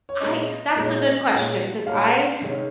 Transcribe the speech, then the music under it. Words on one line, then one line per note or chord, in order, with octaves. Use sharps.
I that's a good question 'cause I
C#5
A#2 G#3 C#4 D#5
A#2 G#3 C#4 D#5
A#2 G#3 C#4
A#2 G#3 C#4 F5
C3 D#3 G#3 C#4